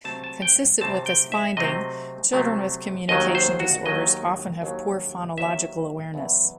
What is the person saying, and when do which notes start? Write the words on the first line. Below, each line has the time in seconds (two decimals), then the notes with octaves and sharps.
Consistent with this finding, children with communication disorders often have poor phonological awareness.
0.04 C3 F#3 A3 C4 A5
0.24 A5
0.42 G5
0.81 C3 F#3 A3 C4 A5
1.06 G5
1.32 E5
1.57 C3 F#3 A3 C4 D#5
2.33 C3 F#3 A3 C4
3.09 D#2 D#3 F#3 D#5
3.35 C5
3.60 F#4
3.85 D#2 D#3 F#3 D#5
4.62 D#2 D#3 F#3
5.37 D#2 D#3 F#3 E5
6.14 E2 B2 F#3